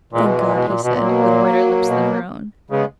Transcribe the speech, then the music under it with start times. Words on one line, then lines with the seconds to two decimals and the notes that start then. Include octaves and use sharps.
"Thank God," he said, with whiter lips than her own.
0.12 A#2 E3 G#3
0.27 B2
0.41 A#2
0.54 B2
0.68 A#2
0.83 B2 B3
0.95 A#2 F#3 A#3
1.09 B2
1.24 A#2
1.85 B2
2.70 C#3 G#3 B3